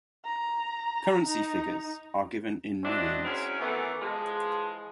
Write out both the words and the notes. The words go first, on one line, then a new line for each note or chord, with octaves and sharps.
Currency figures are given in millions.
A#5
D#4
F#3 C4 D4 E4 D#5
F#3 G#3 C4 C#4 E4
D#3 E3 A3 B3 C#4
E3 F3 G#3